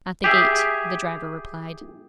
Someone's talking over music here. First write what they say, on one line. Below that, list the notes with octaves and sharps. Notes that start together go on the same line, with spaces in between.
'At the gate,' the driver replied.
G4 G#4 E5